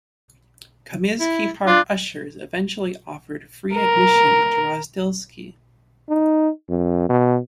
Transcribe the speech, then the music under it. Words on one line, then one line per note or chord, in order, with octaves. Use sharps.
Comiskey Park ushers eventually offered free admission to Rozdilsky.
E4
D4 F4
A#4
D#4
F2
B2